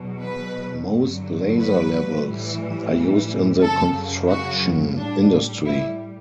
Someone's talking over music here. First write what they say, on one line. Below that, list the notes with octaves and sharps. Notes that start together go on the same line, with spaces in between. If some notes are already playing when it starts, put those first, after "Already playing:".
Most laser levels are used in the construction industry.
Already playing: E2 B2 F#3
B4
G2 D3 F#3
B4
A2 E3 G3
F#2 C#3 F#3 A4
F#4
A2 G3 D4
E4